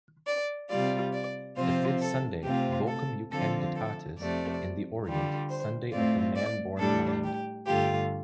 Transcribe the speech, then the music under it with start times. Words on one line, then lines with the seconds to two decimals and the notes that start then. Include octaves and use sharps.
The fifth Sunday, "Vocem jucunditatis" in the Orient, Sunday of the Man Born Blind.
0.26 D5
0.69 C3 G3 F4 D5
1.13 D5
1.57 C3 F3 C4 F4 C5
2.01 A4
2.43 C3 A3 C4 F4 G4
2.87 A4
3.31 D3 F3 C4 F4 A4
3.75 A4
4.18 F2 C3 A3 D5
5.05 D3 G3 F4
5.49 C5
5.92 A2 A3 C4 F4 D5
6.36 D5
6.79 A2 G3 D4 A4
7.23 G4
7.66 G2 D3 A3 F4 G4